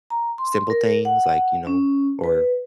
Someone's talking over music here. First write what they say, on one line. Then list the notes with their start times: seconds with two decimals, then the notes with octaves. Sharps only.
simple things, like you know or
0.10 A#5
0.38 C6
0.70 A#4
1.05 F#5
1.67 C#4
2.24 B4